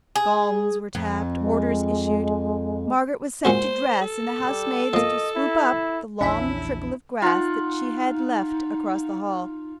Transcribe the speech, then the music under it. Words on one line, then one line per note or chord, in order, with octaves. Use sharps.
Gongs were tapped, orders issued, Margaret was sent to dress, and the housemaid to sweep up the long trickle of grass that she had left across the hall.
G#4
F2
G#3
A#2 G#3 F#4 C5
A4
G3
F3 A#3 D#5
E4
A#1 E2 C#4 D4 E4 E5
D#4 F4 F#5